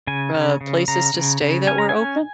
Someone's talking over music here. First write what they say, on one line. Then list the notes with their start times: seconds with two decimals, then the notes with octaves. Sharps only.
uh, places to stay that were open?
0.07 C#3 G#5
0.34 C#3
0.61 C#3
0.88 C#3 A#5
1.14 C#3
1.42 C#3
1.67 C#4 G#5
1.78 A#5
1.89 G#5
1.95 C#4